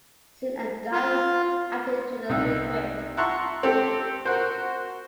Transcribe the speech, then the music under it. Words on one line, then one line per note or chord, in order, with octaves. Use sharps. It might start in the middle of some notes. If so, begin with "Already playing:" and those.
Soon a dye was added to the liquid.
F4
C2 D#4 E5
E5 F#5 A5 A#5 C6 C#6
C4 G4 A4
F#4 A#4 C5